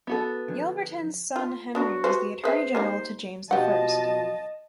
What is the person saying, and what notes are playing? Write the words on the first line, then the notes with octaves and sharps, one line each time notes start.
Yelverton's son Henry was Attorney-General to James the First.
B3 F#4 A4
D3 F3 G#5
F4
B3 D4 F#4 A#4
G4 B4 C5
G#4 B4 C5 E5
G3 A#3 D#4
B2 F3 G4 D#5 F5 F#5 A5